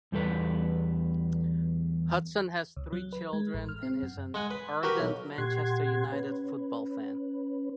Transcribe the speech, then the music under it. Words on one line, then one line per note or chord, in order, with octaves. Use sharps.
Hudson has three children and is an "ardent Manchester United football fan".
E2 G3 A4 B4
C#2
F#3
B4
G#3
A1
F6
C4
F#2
G#3 F#5 G#5
B4
F#4 G4 A#4 B4
B1
A#2 G4 F#5 C6 G#6
C#4 B4